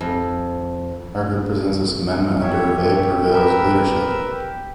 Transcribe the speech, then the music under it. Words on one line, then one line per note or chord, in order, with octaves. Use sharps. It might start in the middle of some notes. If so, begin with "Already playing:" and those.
Our group presents this amendment under Hervé Berville's leadership.
F2
G4 C#5 E5
A#4 B4 E6
G4